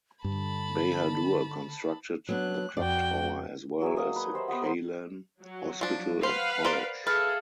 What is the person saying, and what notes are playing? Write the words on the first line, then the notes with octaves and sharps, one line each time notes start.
Bahadur constructed the clock tower as well as the Kalyan Hospital and College.
G2 D3 A5 B5
F#3 B3 D4 F#6
F2 F#4 D5 G5
F#3 G#4 E5
A#3 D5 D#5 C#6
B4
G4 C5 D#5 E5
B3 G4 D#5 F#5
A#4 C5 C6
F#3
F3 D4
B4 C5 F5 F#5
A#4 C5 D5
G#4 A4 B4 E5 F5 A5